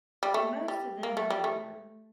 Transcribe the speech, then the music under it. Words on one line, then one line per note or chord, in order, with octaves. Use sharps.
Most of them don't either.
G3
A3
G3
A#3
A3
G3
A3